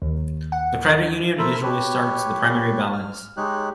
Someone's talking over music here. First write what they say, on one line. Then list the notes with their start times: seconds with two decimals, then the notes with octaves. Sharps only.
The credit union usually starts the primary balance.
0.02 D#2
0.52 F#5
1.38 E4 A4 A#4 C5 E5
1.63 G4 B4 C#5
2.93 F6
3.37 G#3 D#4 G4 C#5 F#6